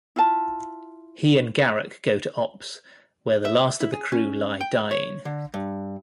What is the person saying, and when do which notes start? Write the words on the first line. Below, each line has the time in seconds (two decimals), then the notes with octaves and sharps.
He and Garak go to Ops, where the last of the crew lie dying.
0.16 E4 F4 A5
3.45 E5
3.80 E4
3.92 G#4
4.12 C#4
4.61 G5
4.91 C#5
5.25 D3
5.54 G2